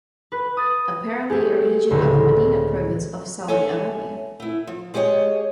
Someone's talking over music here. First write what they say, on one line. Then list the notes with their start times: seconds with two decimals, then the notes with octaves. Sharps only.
Apparently a region of the Medina Province of Saudi Arabia.
0.32 B4
0.57 D#6 A6
1.30 A3 G4 G#4
1.90 C#2 A2 D3 A3 C4
3.48 A4 C#5 E5 G#5
4.40 A3 E4
4.67 F3
4.94 G#3 G4 G#4 C#5 D#5